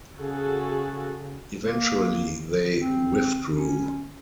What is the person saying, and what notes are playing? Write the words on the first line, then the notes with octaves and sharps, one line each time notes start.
Eventually they withdrew.
C#3 F#4 G#4 A4
A#3
C4
C#4